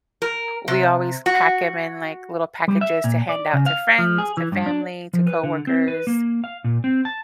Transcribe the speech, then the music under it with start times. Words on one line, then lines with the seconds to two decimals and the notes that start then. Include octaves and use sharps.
we always pack 'em in, like, little packages to hand out to friends, to family, to coworkers,
0.22 A#4
0.68 C3
1.26 F#4
2.68 G3
2.81 E5
3.04 A#2
3.29 D5
3.53 C#3
3.66 F5
3.98 F3
4.18 G#4
4.37 E3
4.52 G2
4.66 D4
5.13 F3
5.27 B4
5.43 D3
5.67 C4
5.88 B4
6.07 A#3
6.44 F5
6.64 A#2
6.84 C4
7.05 A5